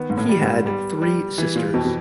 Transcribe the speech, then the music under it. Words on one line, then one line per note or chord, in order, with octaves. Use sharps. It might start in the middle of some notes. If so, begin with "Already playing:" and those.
He had three sisters.
Already playing: D#3 B3
G#2
A2
G3
G#2
G3
G3
E3
A#2
F2 B2
B2